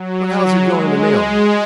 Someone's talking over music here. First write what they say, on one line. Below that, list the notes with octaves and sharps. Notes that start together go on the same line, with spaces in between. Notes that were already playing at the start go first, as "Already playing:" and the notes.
'But how's he going to nail him?
Already playing: F#3
G#3